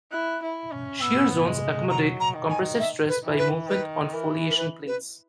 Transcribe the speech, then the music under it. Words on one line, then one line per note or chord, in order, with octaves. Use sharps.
Shear zones accommodate compressive stress by movement on foliation planes.
E4 F#6
E4
C#4
B3 E6
G#3
F#3 A#5
A#5
D#3
G#5
E5
B4
E3
B4
D#3 B4
E3 A#4
A#4
B4
B4